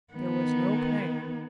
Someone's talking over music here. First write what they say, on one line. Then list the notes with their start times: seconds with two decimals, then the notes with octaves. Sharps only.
There was no pain.
0.14 D#3 B3